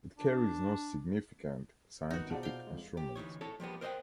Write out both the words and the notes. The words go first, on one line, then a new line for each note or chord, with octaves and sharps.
It carries no significant scientific instruments.
D4
G#1 D#3 B3 D#4 F#4
B2 F4 G#4 C5 D5 F#5 A5
F5 G5
F2 G#3
G4
D2 E3 D#4 C#5
E4 A4 C#5 A5
F3 G3 A#3 B3
A#4 C5 D#5 E5 F#5 G5